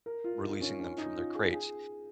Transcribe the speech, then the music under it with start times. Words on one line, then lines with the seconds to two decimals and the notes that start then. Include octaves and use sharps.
releasing them from their crates,
0.06 A#4
0.24 F4
0.43 D#4
0.61 C#4
0.80 C#4
0.98 D#4
1.17 F4
1.35 G#4
1.53 G#4